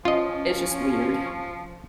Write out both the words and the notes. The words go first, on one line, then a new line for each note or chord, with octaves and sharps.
It's just weird.
F3 C#4 F4 D#5